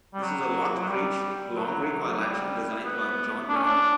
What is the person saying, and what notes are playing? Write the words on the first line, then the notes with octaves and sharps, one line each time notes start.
This is a locked-breech, long recoil action designed by John Browning.
G3
F#3
F#3
G3
F#3
F#3
G3
B3
D4
C#4
D4